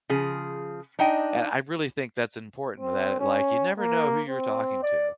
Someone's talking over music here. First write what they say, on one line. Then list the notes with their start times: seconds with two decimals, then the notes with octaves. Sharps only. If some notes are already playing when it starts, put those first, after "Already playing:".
And I really think that's important that, like, you never know who you're talking to.
0.09 C#3 F3 G#4
0.99 D4 D#4 D#5 G5 G#5
2.80 C4
3.20 C#4
3.79 A#3
4.29 C4
4.83 D5